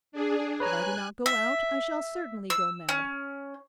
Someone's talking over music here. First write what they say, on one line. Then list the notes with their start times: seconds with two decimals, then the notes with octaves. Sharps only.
If I do not go out, I shall certainly go mad.
0.12 D4 G#4
0.60 B4 C#5 G#5 A#5 F#6
1.26 E5
2.50 E6
2.89 C#4